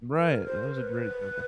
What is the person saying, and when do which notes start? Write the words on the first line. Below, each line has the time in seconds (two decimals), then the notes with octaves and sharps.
Right, that was a great example.
0.18 A#4
0.46 C5
0.63 A#4
0.74 B4